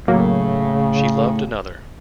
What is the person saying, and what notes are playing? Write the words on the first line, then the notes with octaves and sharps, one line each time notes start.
She loved another.
A2 C#3 F#3 A#3